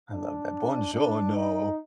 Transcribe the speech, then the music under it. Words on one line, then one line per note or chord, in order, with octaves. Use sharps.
I love that. Buongiorno.
D4
D4
D#4